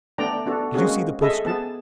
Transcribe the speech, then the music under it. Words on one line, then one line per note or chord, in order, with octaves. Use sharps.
"Did you see the postscript?"
A3 B3 D4 D5 G5 A#5
B3 D4 F#4 A4
G#3 A#3 C4 C#4 F#4 G#4
G#4 A4 D#5 E5
B3 G#4 A5